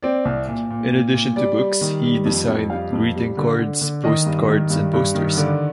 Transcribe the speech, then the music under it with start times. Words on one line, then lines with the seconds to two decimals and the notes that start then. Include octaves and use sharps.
In addition to books, he designed greeting cards, post cards, and posters.
0.03 C4 D5
0.25 C2
0.47 A#2
0.70 A#2
0.93 A#2
1.14 A#2
1.36 G3 D5
1.59 G3
1.81 D#3
2.04 G3
2.25 F2
2.48 F2
2.70 G3 F5
2.93 F2
3.15 G3
3.37 D3
3.59 D3
3.81 D3
4.04 D#3 D#5
4.26 G2
4.48 D#3
4.70 G2
4.93 G2
5.15 D#3
5.37 D3 D5